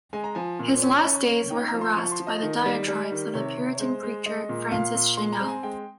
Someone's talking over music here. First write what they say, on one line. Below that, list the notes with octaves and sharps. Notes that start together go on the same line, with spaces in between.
His last days were harassed by the diatribes of the Puritan preacher, Francis Cheynell.
G#3 G#5
A#5
F3 G#5
A#2
C#4
C#4
C#4
D#4 G5
A#5
F3
C6
F3 C#6
C6
F3
D#5
D#3
G3
G3
D#3
C3 C#5
C3
C#5
G#3 C5
G#3
G#3 D#5
A#2
A#2 F5
A#2
G#3 C6
A#5
C4
G#5
G#3 G5